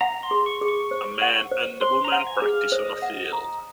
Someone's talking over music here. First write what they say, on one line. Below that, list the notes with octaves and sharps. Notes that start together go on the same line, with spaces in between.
A man and a woman practice on a field.
F#5 A#5
C6
G#4
C#6
G#4
C#6
C5
F#5
C5
C5 C6
A#5
F#5
G#5
G#4
F5
C5 D#5
F#5
A#5